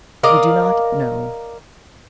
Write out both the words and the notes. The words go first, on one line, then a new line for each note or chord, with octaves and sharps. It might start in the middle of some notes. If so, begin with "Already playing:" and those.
We do not know.
A#4 D5 D#5 F5